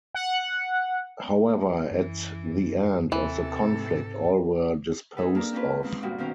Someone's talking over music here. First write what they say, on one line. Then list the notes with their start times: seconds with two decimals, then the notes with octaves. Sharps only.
However at the end of the conflict all were disposed of.
0.14 F#5
1.91 F#2 E3
3.12 D#2 C3 E3 A4
3.61 G#2
5.17 D#4 G#4 A4 B4
5.35 A#3 D4 A#4
5.53 C4 C#4 F4 B4
5.83 G#2 C4 D#4
6.02 D2 G2 A#2 G3 F#4
6.18 B2 D#3 C#4 C5